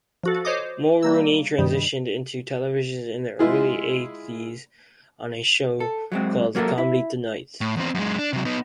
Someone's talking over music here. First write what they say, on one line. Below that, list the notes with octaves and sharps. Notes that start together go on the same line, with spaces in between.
Mulrooney transitioned into television in the early eighties on a show called Comedy Tonight.
F3 F#4 A4
C5 C#5 D#5 D6 D#6
G3 A#3 E6
G2 D#3 G3
G#3 E4 F4 G#4
A4
F#3 G#3 C4
F#3 A#3 F#4 G4 A4 A#4
E4
A2
E2 C4
F#2 G#3
D4
C3 F#3
B3 D#4